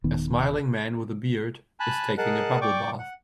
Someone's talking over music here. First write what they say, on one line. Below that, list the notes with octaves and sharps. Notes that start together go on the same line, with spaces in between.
A smiling man with a beard is taking a bubble bath.
D#1 D#3 B3
G#5 A5 B5 F#6
G#4 A#4 D#5 F#5 A5 F#6
D5 G5 C#6 D6
F#5